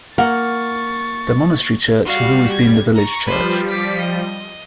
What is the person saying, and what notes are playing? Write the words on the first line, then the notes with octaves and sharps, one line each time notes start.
The monastery church has always been the village church.
A#3 F#5 C#6 A6
G3 F#4 F5
G#6
A#5 C#6
F3 G3 B4 C5
D6 B6
D#5